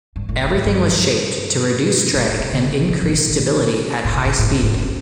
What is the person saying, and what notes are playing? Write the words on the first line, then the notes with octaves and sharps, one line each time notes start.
Everything was shaped to reduce drag and increase stability at high speed.
G2
A2
A2
F#2
G2
A#2
A#2
C3
D3
C3
A#2
A2
A2
A#2
D3
D#3
A#2
C3
A#2
A2
C3
A2
G2